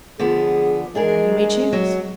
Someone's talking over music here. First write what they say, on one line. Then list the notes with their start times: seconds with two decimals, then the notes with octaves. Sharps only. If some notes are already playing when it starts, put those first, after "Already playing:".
Now you may choose.'
0.19 D3 F3 B3 G#4
0.95 G#3 D4 G#4 A#4
1.73 F#3